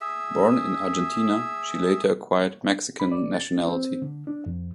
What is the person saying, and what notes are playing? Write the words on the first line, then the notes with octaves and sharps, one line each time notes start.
Born in Argentina, she later acquired Mexican nationality.
G#4 E5
B5
D5
A6
C4
D3
D4
F2